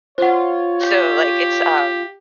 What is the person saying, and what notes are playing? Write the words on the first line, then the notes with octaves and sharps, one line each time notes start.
So like it's, um,
F4 C5 C#5 F#5
G4